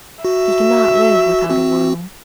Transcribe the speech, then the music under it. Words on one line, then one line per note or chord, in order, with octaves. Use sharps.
He cannot live without a world.
F#4 E5
C4 F#4